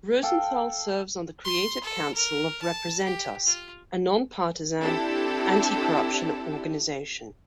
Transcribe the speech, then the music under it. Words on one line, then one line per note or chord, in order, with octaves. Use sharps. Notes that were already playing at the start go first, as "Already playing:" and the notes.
Rosenthal serves on the Creative Council of Represent.Us, a nonpartisan anti-corruption organization.
A4 F5 G5
C6
A4
A#4
A5
G4
F4
C4 D4 E4 G4 A4 D5